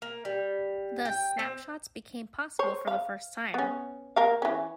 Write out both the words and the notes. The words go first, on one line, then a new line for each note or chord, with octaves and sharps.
Thus, snapshots became possible for the first time.
A#3
G3
G5
C4
C5 C#5
F5
B3 C#4
A#3 A#4 F5
E3 C#4